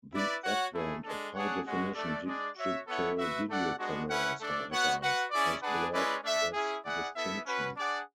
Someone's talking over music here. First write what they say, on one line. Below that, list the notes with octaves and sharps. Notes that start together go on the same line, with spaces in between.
The advent of high definition digital video cameras, however, has blurred this distinction.
E4 B4 D5
F#4 C#5 F#5
A3 E4 G#4
G#3 D4 A4
D4 G#4 C#5 F#5
G#3 C#4 F#4
A3 D4 A4 D5
G#3 D4 G#4 D5
F#4 C#5 E5
B3 E4 A4 C#5 F#5
F#4 B4 E5
A3 D4 A4 D5 F#5
G#3 B3 D4 F#4
C#4 E4 B4 F#5
A3 D4 A4 D5
B3 F#4 C#5 F#5
F#4 B4 F#5
C#4 E4 G#4 D5
D4 G#4 B4 D5 F#5
G#3 C#4 E4 B4 D5
A3 D4 A4 E5
C#4 E4 G#4
E4 G#4 D5 F#5
B3 E4 A4 E5
C#4 F#4 B4
D4 G#4 D5 F#5